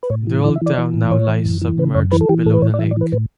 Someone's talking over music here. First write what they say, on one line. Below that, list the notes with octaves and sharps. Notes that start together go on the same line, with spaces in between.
The old town now lies submerged below the lake.
B4
A2 C#5
E3
E3 D5
E5
E3 D5
E3
A2
A2 C#5
E3
F#2
E3
C#3 B4
F#2 C#5
E3 B4
A4
E3 G4
A2 A4
B4
A2 C#5
D5
E3 E5
D5
E3 B4
A2 B4